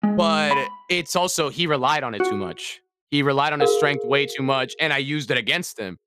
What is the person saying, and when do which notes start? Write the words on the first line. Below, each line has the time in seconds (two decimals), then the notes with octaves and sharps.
But it's also he relied on it too much. He relied on his strength way too much, and I used that against him.
0.03 G#3
0.51 B5
2.20 F#4
3.60 F#4 G#4 A#4 F5